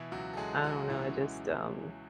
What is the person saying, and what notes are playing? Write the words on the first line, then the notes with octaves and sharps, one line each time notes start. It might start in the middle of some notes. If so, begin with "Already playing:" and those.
I don't know, I just, um,
Already playing: B2 E3 E4
C#2 F#3 F#4
A4
C#2 G#3 G#4
F#3 F#4
B2 E3 E4
C#4